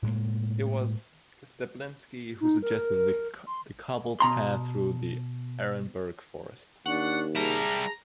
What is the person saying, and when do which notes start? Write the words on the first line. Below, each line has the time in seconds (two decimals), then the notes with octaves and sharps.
It was Stablinski who suggested the cobbled path through the Arenberg forest.
0.03 A2 G#3 A#3
2.40 D#4
2.62 A#4
2.95 A#4
3.47 C6
4.20 B2 A#5 C6
6.86 D#2 D4 F#5 C#6
7.36 G3 E4 G#4 A5 A#5